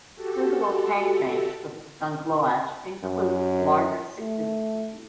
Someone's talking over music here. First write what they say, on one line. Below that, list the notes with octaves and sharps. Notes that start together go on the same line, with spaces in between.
Suitable tank mates for the skunk loach include larger cichlid species.
F#4 G4 A4
F#2
A3